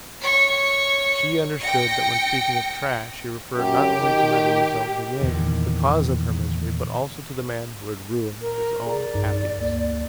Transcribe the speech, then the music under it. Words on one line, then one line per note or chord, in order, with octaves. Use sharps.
She understood that when speaking of "trash" he referred not only to Mademoiselle Bourienne, the cause of her misery, but also to the man who had ruined his own happiness.
C#5 C#6
G5 A#6 C#7
F#2 G4
D#3
E2 A#2 D3 D#3
A#4
G#4 A#4 D5 A#5
B1 G2 D#4
D2 A#3